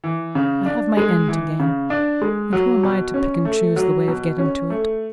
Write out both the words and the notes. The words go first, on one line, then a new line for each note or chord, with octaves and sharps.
I have my end to gain--and who am I, to pick and choose the way of getting to it?
E3
C#3
D4
G#3
E3
C#3
D4
G#3
F#3
B2
C#4
A3
F#3
B2
C#4
A3